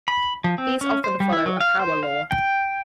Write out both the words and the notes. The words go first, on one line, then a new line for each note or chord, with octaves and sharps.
These often follow a power law.
B5
F3
C4
C#4
C5
G3
E4
F#3
F5
C5
F5
G5